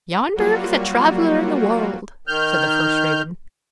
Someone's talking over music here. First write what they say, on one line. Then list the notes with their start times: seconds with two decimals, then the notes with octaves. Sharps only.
"Yonder is a traveller in the world," said the first raven.
0.36 F#3 G3 A#3 F4 F#4
2.28 D#3 F6 G6